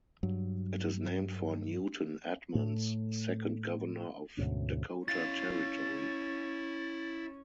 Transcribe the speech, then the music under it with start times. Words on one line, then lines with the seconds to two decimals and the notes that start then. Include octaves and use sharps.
It is named for Newton Edmunds, second Governor of Dakota Territory.
0.23 G2 F#3
2.55 A2 A3
4.37 D2 G#2 B2 C#4
5.08 C#4 E4 F5 A6